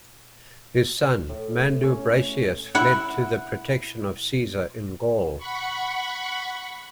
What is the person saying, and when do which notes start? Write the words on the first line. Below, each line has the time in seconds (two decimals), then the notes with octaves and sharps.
His son, Mandubracius, fled to the protection of Caesar in Gaul.
1.29 A2
1.83 C#4
2.75 E4 F#5
5.38 F#5 B5 C#6